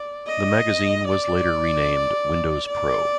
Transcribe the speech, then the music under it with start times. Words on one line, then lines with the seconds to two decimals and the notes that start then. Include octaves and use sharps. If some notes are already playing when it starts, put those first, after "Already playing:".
The magazine was later renamed "Windows Pro".
Already playing: D5
0.27 D#5
1.08 D5
2.67 D5